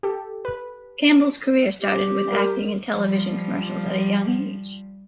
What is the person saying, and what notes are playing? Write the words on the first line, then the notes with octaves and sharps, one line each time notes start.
Campbell's career started with acting in television commercials at a young age.
G4 A4
B4
G4
G3 A#4
F3 G3